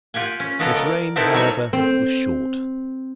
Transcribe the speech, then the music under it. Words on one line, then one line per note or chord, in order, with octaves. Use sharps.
His reign, however, was short.
F4 G4 F#5 G#5
C#4
C#3 G#3 B3 A4 D#5 A#5
A#4 D5 A#5
B3 C4 D#4 E4 A4 A#4
F#3 G3 D#4 F#4 C#5
C4